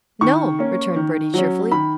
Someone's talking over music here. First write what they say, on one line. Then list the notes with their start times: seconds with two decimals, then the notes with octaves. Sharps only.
"No'm," returned Bertie cheerfully.
0.21 D#3 C#6
0.59 A#3 C#4
0.96 D#3
1.34 F#3 C#4
1.72 D#3 B5